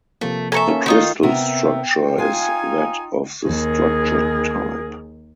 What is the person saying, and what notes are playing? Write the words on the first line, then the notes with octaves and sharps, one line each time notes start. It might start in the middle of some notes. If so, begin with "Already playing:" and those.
The crystal structure is that of the structure type.
C3 F3 A3 A#3
A4 A#4 E5 G#5 A#5 C#6
A#3 C#4
D#3 D#4 F4
C3 B3 A#4 E5 G5
D#4 F4 F5 G#5
D#2 G#4 A#4